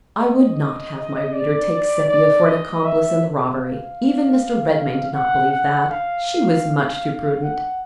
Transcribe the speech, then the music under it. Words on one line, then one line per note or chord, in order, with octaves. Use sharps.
I would not have my reader take Sepia for an accomplice in the robbery. Even Mr. Redmain did not believe that: she was much too prudent!
D#5
D5
D5
D#5
E5
F5
F#5
F#5
F5
F#5